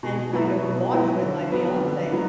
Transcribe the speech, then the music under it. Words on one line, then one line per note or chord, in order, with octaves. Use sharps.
and kind of watch with my fiance
B2
F#3 B3 E4
B2
F#3 B3 E4
D3
F#3 B3 D4
D3
F#3 B3 D4